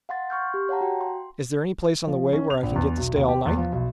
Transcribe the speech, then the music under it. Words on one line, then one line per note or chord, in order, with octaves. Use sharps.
"Is there any place on the way where I can get to stay all night?"
F5 F#5 C6 A6
C6 C#6 F6 G6
G4
C#5 F5 F#5 A5 A#5
F#4 G5
C6
F3
C#4
F7
A#1
E2
B1
D#2
G4
E2
F3
B1